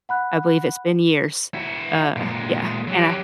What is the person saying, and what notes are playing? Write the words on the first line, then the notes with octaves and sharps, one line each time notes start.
I believe it's been years. Uh, yeah, and I
F#5 B5 F#6
E4 F#4
A#2 G#3
F#3 G4